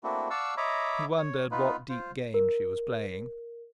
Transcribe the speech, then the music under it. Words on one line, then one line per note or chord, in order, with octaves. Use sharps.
He wondered what deep game she was playing.
A3 A#3 C4 D4 E4 F#4
D5 F5 F#5 A5 C#6 E6
C#5 D#5 E5 A#5 B5 D6
C#5
B3 D#4 F4 B4
F4 C5
A#4